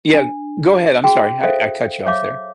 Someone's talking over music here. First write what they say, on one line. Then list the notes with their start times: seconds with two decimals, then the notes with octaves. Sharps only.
yeah, go ahead. I'm sorry. I I cut you off there.
0.14 D4
1.04 F#4 G#4 G5
1.43 A4 C5 E5 F5
2.06 C#5 E5 F5 D6